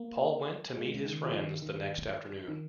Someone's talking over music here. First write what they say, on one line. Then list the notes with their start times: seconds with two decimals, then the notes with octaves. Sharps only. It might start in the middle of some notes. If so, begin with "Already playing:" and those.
Paul went to meet his friends the next afternoon.
Already playing: A#3
0.77 G#3
0.95 C#3
1.05 D#3
1.25 F3
1.34 D#3
1.62 D#3
2.48 D#3